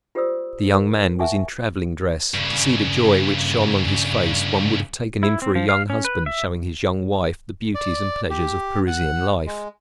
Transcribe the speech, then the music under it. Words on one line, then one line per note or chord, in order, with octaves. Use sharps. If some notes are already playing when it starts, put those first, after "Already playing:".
The young man was in traveling dress; to see the joy which shone on his face, one would have taken him for a young husband showing his young wife the beauties and pleasures of Parisian life.
F4 G4 C5 D5 D#6 E6
A#4
E5 F#5 G#5 A5 C#6
G2 C#3
E4
C4
F3
F5
C#4
B4
E5
D5
G4
F#5
G#3